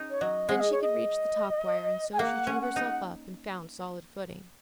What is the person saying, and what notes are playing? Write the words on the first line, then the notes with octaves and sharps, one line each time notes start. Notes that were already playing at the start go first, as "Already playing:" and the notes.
Then she could reach the top wire, and so she drew herself up and found solid footing.
Already playing: C#4 D#4
C#5
F#3 D#5
G#3 F#5
D#5
C#5
D#5
G#5
A#3 F#5
C#4
F#5
D#4